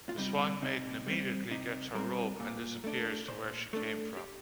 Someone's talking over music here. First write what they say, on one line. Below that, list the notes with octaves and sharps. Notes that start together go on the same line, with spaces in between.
The swan maiden immediately gets her robe and disappears to where she came from.
F4
C3 G3 D#4
C3 D#4
G3 C4
C3 D#4
G3 C4 A#4
A#2
A3 D4
A#2 C5
A3 D4 A4
G4